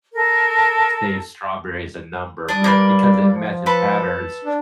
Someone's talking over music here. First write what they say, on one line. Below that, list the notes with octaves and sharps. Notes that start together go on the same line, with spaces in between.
saves strawberry as a number but because it matches patterns,
A4 A#4
G3 D4 D#6
A#3 D4 B4
F3
A4 B4
D4